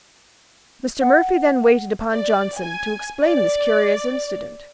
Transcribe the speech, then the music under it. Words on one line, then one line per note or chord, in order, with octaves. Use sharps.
Mr. Murphy then waited upon Johnson, to explain this curious incident.
F#5
D5
G#5
D5